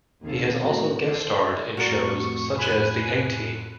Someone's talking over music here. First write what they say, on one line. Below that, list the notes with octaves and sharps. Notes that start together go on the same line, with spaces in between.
He has also guest starred in shows such as "The A-Team".
D#2 C3 G#4 A4 F5
E2 A2 C#3 F#4
D4 A4 C5 D5
F2 A2 F#4 A#4 D5 C#6
G#5 B5 F#6